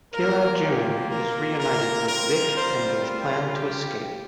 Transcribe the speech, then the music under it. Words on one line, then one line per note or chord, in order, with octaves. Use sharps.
Quilla June is reunited with Vic and they plan to escape.
A#3 F4 A#4
G4
A#4
A#4
G3 C4 F4 A#4
C5
A#4
G4